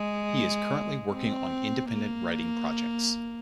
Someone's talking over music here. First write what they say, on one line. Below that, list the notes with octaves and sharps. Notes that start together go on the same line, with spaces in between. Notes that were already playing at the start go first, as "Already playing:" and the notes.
He is currently working on independent writing projects.
Already playing: G#3
C4
A#3